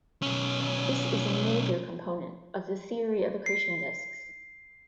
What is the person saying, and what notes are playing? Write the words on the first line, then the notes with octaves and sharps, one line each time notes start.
This is a major component of the theory of accretion disks.
B1 C#4
C7